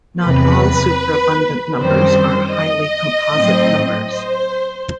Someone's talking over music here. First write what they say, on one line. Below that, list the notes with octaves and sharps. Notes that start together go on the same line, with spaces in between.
Not all superabundant numbers are highly composite numbers.
E2 C3 F#3 B4
F#2 D#3 G3 C4 C5
D#5
A2 F#3 C4
C5